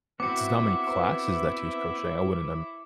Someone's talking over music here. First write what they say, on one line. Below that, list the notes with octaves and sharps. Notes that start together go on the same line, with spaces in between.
there's not many classes that teach crochet I wouldn't
B3 C4 E4 F#4 E5 D6 C#7
B4 C5